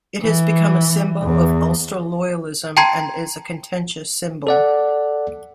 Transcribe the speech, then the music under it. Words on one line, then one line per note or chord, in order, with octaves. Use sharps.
It has become a symbol of Ulster loyalism and is a contentious symbol.
E3
E2
G5 A5 A#5 C6 G#6 C7
A4 D5 F#5